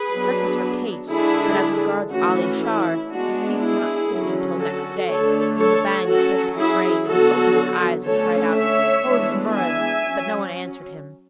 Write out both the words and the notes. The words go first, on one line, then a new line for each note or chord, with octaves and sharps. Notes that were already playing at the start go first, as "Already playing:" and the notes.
Such was her case; but as regards Ali Shar, he ceased not sleeping till next day, when the Bhang quitted his brain and he opened his eyes and cried out, "O Zumurrud"; but no one answered him.
Already playing: G#4 B4
F#3 B3 D4
D3 G#3 D4 E4 G#4
E3 A3 C#4 F#4
E4
G#3 B3 D4 F#4
E4 G#4
D3 F#3 C#4
F#4 A4
D3 A3 D4 A4 C#5
A4 C#5
F#3 C#4 F#4 A4
E4 G#4
D3 F#3 B3 F#4 A4
D3 A3 C#4 A4 C#5
C#5 E5
E3 G#3 B3 D4
E5 G#5
F#3 C#4